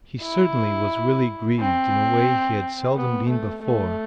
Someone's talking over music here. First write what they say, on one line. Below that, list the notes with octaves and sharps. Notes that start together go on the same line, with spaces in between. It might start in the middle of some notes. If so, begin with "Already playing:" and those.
He certainly was really grieved in a way he had seldom been before.
E4
C4
B3
A3
A3